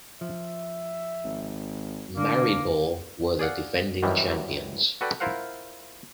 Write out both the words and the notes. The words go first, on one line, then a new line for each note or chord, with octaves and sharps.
Maribor were the defending champions.
F3 E5
G#1
D3 A#3 D4
G#4 D5 F5 F#5
F#2 D#3 E3 G3
F#4 A4 B4 D5 G5
E4 F4 A#4 C5 F5 F#5